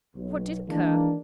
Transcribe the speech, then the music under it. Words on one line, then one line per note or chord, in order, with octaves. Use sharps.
What did occur?
B1
D#3 E3 G#3 A#3 D4